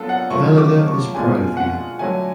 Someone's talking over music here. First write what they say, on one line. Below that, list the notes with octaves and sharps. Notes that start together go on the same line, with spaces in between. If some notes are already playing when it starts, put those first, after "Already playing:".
Canada is proud of you.
Already playing: F#3 B3 D4 F4 A4
F#5
C#3 F#3 A3 F4 C#6
D6
C#6
B2 G#3 D4 F4 G#5
F#5
D3 F#3 A3 G#5